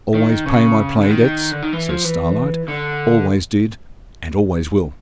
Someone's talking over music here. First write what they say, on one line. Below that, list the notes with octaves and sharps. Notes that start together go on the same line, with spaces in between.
'Always pay my play debts,' says Starlight. 'Always did, and always will.
D#3
C#3
D3
D#3
D3
D#3
E3
F3
E3
D3